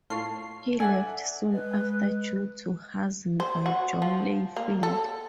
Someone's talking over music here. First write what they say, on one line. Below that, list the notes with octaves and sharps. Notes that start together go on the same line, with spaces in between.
He left soon after due to hazing by John Layfield.
A2 F4 A4 C#5 C7
A4 D5 E5 F#5 G#5
G#3 B4
C5
F#4
F3
A#3
A4